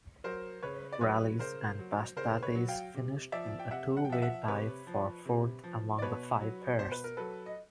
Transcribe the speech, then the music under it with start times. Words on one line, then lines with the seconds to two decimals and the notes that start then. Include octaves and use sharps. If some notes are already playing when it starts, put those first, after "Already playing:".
Rallis and Paspatis finished in a two-way tie for fourth among the five pairs.
0.24 F#3 A#4 C5
0.63 C#3 B4 C#5
0.93 D5
1.01 F#3 B4 C#5
1.39 C#3 A#4 C5
1.79 F#3
2.16 C#3 A#4 C5
2.42 B4 C#5
2.55 F#3
2.68 F5 G5
2.94 C3
3.32 F3 D5 E5
3.60 G5
3.71 C3 E5 F#5
3.97 F#5
4.05 G5
4.09 F3 E5 F#5
4.22 E5 F#5
4.48 C3 B4 C#5
4.87 F3
5.25 C3
5.63 F3
5.99 D5
6.02 B2 B4 C#5
6.41 F#3
6.79 B2 C5
6.92 B4
7.04 A#4
7.17 F#3 A4 B4
7.46 D#5